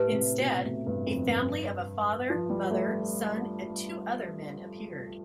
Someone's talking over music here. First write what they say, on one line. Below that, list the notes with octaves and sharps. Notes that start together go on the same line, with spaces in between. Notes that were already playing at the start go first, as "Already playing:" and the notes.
Instead, a family of a father, mother, son and two other men appeared.
Already playing: A2 G4 B4 A5
C3
B2
A2
G2
F2
G2
F3
G3
A3